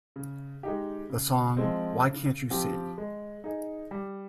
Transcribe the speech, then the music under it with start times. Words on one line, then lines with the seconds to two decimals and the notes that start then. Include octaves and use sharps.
The song Why Can't You See?
0.16 C#3
0.63 G#3 D#4 G4
1.10 C#3
1.57 F3 G#3 C4
2.04 C#3
2.50 F3 C4 G4
2.98 G#3
3.44 D#4 G#4
3.91 G3